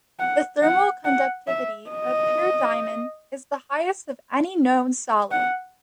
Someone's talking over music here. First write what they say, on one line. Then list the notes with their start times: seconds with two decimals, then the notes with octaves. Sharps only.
The thermal conductivity of pure diamond is the highest of any known solid.
0.19 F#5
0.62 F#5
1.05 F#5
1.48 E5
1.90 D#5
5.31 F#5